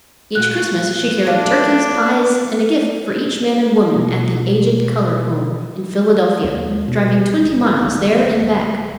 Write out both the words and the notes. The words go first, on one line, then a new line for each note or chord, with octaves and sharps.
Each Christmas she carried turkeys, pies, and a gift for each man and woman at the "Aged Colored Home," in Philadelphia, driving twenty miles, there and back.
A#2 F#4 F#6
A3 D4 F4
B2 E3 A#3
D#2
G#3
B2
G#1
D1
D1